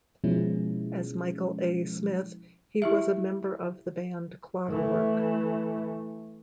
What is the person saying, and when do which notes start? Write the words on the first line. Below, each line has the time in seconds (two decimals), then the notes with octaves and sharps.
As Michael A. Smith, he was a member of the band Clockwork.
0.24 B2 F3 G#3 C#4 E4
2.82 E4 G4 E5
4.69 E3 A3